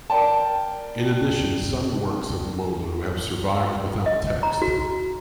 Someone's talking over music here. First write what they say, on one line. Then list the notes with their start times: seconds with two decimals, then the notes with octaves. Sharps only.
In addition some works of Moulu have survived without text.
0.10 A#4 D5 G5 A5
4.06 D#5
4.43 A#5
4.62 F#4